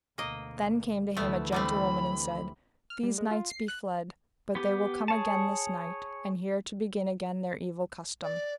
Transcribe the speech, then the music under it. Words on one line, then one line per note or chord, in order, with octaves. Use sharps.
Then came to him a gentlewoman and said: These knights be fled, but they will come again this night, and here to begin again their evil custom.
D2 B2 A#3 D#5
D2 E3 A3 B3
G3 A3 C4 B5
F6
G3
G#3
F4
C7
F#6
B3 G4
G#4 C#5 A5
D5